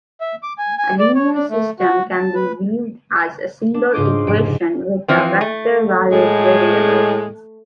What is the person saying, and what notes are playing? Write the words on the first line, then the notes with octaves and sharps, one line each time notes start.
A linear system can be viewed as a single equation with a vector-valued variable.
E5
D6
G#5
G#5
D5
C#5
D4
A3
F#4
A5
B4
D4
G#2 C#3 F4 C5 D#5 D6
F1 G#2 C3 D7
E3 F3 C4
A3
A2 G#3